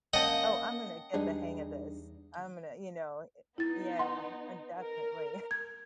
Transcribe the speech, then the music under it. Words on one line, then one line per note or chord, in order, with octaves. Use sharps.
Oh, I'm gonna get the hang of this. I'm gonna, you know eh Yeah, I I definitely.
A#3 C#4 D#5 F#5 G5 A5
E2 G3 D4 D#4 G#4
B3 D#4 E4 A6
F#5 C6
A#4
G#6